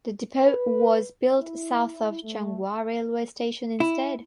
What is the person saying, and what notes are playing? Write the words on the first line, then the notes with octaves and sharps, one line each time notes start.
The depot was built south of Changhua railway station instead.
B4
E4
A3
E4